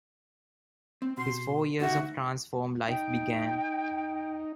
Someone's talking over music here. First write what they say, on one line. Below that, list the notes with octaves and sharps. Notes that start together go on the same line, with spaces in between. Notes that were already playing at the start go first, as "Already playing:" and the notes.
His four years of "transform" life began.
C4
B2 C6
D2 D#4 F#4 E5
D#4 G5